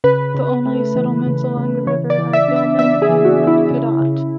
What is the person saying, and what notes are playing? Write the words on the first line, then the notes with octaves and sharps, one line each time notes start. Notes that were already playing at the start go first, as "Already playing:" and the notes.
The only settlements along the river are Gilman and Cadott.
C#3 B4
C#3
A3
E3
C#3
C#3
E3 C#5
D5
E3
E5
D4
E5
B3 E5
G#4
E3
F#4
E3
E4
C#3
C#3